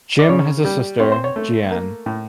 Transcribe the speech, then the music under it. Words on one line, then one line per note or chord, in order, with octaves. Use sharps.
Jim has a sister, Jeanne.
D5
C#3 C#5
G3
C4 C#5
C5
C#5
A3
A#3
A2